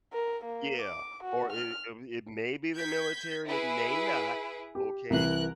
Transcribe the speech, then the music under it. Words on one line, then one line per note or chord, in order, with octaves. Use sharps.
yeah, or it it may be the military, it may not, okay,
A#4
A#3
D6
F#4
F6
G6 G#6 B6
E4 G#4 B4
G4
C2 E3 A#4 F#6